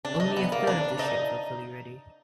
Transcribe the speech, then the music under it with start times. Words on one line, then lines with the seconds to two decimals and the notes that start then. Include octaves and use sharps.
Only a third of the ships were fully ready.
0.05 D4
0.20 D#4
0.37 B3
0.52 A#3
0.67 D4
0.99 D#4